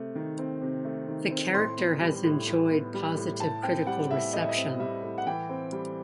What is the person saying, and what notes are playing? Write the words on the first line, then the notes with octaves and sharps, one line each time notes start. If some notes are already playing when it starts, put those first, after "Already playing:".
The character has enjoyed positive critical reception.
Already playing: C3 A3
D#3
C4
C3
A3
D#3
C4
A2 C6
B3
G3
A2
A2
B3
G3
A2
A2 A5
C4 G5
G3 F#5
A2 E5
A2 D#5
E5
D#5
C4
G3 E5
A2
F#5
E3 G5
C4
G3